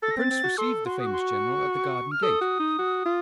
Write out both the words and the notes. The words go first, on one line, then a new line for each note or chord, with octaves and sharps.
The prince received the famous general at the garden gate.
A4 A6
A#6
C4 A6
C4
F#4
A4 C6
F#4 C6
D#6
C#6
C6
C#6
F6
A4 D#6
F#4
D#4
F#4
F4